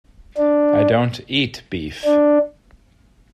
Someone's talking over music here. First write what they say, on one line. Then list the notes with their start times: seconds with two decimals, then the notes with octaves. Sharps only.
I don’t eat beef.
0.37 D4
2.05 D4